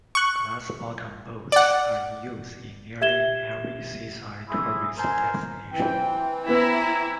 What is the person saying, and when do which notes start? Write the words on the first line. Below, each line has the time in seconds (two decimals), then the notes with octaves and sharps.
Glass bottom boats are in use in nearly every seaside tourist destination.
0.15 C#6 F#6
1.52 D5 F#5
3.01 G4 E5 G#6 E7 G7
4.49 E4 G#4 E5 C6 D#6
4.98 A#4 C5 G#5
5.71 E3 C4 G5
6.48 B3 E4 A#5